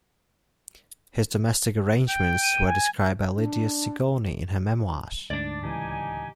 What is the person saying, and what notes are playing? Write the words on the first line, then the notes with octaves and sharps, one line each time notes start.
His domestic arrangements were described by Lydia Sigourney in her memoirs.
G5
D#7
G#5
D4
D2 G#2 D4 D5
D1 C#2 E3 D#4 G4 G#5